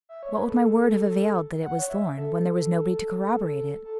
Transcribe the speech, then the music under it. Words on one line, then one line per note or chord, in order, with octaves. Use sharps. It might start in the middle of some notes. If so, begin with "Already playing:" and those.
What would my word have availed that it was Thorn, when there was nobody to corroborate it?
E5
C#5
B4
A4
A4
A4
F#5
C#5
E5
A4
A4